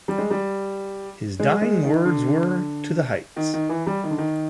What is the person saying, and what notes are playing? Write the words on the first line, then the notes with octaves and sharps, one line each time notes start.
His dying words were, To the heights!
G3
G#3
G3
G#3
G#3
D#3
D3
D#3
D#3
E3
G3
D#3
D3
D#3